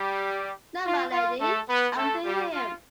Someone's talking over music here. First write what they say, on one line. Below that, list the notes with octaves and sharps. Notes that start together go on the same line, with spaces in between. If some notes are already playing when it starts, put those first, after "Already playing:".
No, my Lady, I've seen him!
Already playing: G3 G4
F4
F4
A3 A4
B3 B4
A3 A4
G3 G4
F4